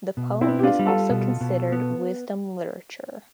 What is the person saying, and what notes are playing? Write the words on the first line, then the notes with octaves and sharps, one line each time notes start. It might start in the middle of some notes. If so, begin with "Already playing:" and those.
The poem is also considered wisdom literature.
B2
C4 E4
B3
G4
D4 F4
G3
F4 A4
B2
B2
B3